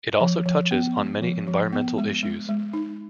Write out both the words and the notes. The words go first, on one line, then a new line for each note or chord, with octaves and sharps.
It also touches on many environmental issues.
F3
F3
B3
G#3
F3
F3
B3
G#3
G#3
G#3
D#4